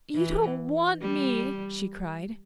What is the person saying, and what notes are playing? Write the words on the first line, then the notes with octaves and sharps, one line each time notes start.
"You don't want me!" she cried.
E3
G3